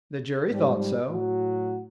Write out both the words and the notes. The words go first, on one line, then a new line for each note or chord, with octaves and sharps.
"The jury thought so."
G#2 F3 G3
A2 F#3 F#4